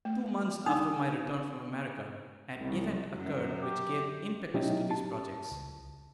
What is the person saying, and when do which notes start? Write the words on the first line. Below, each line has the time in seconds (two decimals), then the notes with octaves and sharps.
Two months after my return from America, an event occurred which gave impetus to these projects.
0.05 A3
0.66 D4 D#4 D#6
2.57 C2
3.16 F#2
3.62 G4
4.54 B2 F#3 C#4 D#4 E4 G4
4.91 A5
5.52 C#2